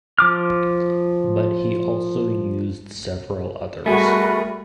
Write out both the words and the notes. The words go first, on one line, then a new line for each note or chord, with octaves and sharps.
But he also used several others.
F3 D6 F6
G3 A3 F#4 G#4 A#4 B5